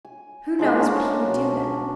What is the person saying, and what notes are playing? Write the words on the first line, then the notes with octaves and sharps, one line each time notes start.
Who knows what he would do then!
G#5
F3 G#3 A3
C#4 D4 A#4
B2